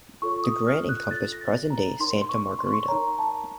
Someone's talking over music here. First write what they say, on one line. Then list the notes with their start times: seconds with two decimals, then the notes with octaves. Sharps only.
The grant encompassed present day Santa Margarita.
0.22 F4 A4 C#5 C#6
0.44 D#6
0.67 F6
0.89 F#6
1.11 F4 A4 C#5 A6
1.32 A#6
1.41 A6
1.70 A#5
2.00 D#4 A#4 C#5 C6
2.22 C6
2.29 C#6
2.59 C6
2.66 C#6
2.73 C6
2.88 D#4 A#4 C#5 A#5
3.19 A5